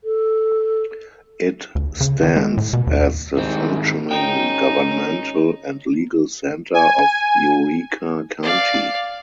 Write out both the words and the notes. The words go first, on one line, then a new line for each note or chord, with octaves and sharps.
It stands as the functioning governmental and legal center of Eureka County.
A4
D2
C#3
D#3
G#3
A2
B2
D#2
C2 G#2 D#3 C4
G#1 C#4 D#4 G5
G#5
D5 F5